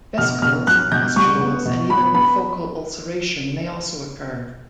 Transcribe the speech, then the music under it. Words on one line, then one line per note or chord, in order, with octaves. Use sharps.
Vesicles and pustules and even focal ulceration may also occur.
B2 F6
B2 F6
F#3 F#6
B2 G6
C2 C#6
B3
B2
B3 B5
B3 B5